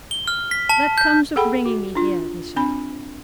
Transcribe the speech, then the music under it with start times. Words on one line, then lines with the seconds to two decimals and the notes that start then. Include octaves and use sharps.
"That comes of bringing me here," he said.
0.11 G7
0.28 F6
0.51 B6
0.69 A5
0.98 G6
1.36 G#4 A4 F#5 G5 B5
1.66 F#4
1.95 D4 F4
2.56 C4 D4 B5